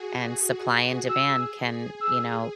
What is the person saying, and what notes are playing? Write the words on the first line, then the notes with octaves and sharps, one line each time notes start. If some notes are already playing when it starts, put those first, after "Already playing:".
and supply and demand can, you know,
Already playing: F#4 G#4
G#4
G#4 E6
E6